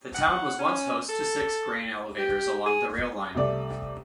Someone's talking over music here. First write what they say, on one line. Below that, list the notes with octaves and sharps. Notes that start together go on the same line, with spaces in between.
The town was once host to six grain elevators along the rail line.
F#5
C#4
A4
G4
G#4
C2 A3 D5